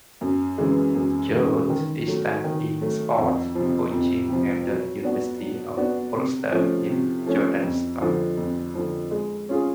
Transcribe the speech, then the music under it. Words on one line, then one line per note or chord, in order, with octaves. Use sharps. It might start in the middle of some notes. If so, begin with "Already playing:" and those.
Jones is studying sports coaching at the University of Ulster in Jordanstown.
F#2
C#3 E3 G#3
F#2
C#3 E3 G#3
D#3
F#3 A3
D#3
F#3 A3
F2
C3 F3
F2
C3 F3
F#3
B3 D4 F#4
F#3
B3 D4 F#4
C3
F3 A3 C#4
C3
F3 A3 C#4
F2
D3 F3
F2
D3 F3
G#3
C#4 F4 G#4